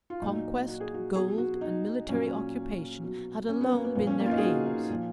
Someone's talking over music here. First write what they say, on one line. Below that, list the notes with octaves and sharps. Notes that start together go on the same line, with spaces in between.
Conquest, gold, and military occupation had alone been their aims.
F4
A#2 F#3 D#4
F#4
G#4
F#4
B2 F#3 G#4
F#4
D#4
A#2 F#3 C#4
B2 F#3
C#4
B3
A#3
B3
A#2 F3 B3
C#4
A#3
F4
D#4
G#4
F#4
D#4
A#2 F3